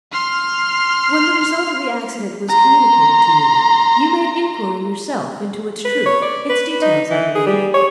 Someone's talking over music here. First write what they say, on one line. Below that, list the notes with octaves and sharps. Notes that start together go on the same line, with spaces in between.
"When the result of the accident was communicated to you, you made inquiry yourself into its truth, its details, I believe?"
C6 F6
A#5 C6
B4
C#5
D5
B4
D#4
E3
G#4
G3
C#5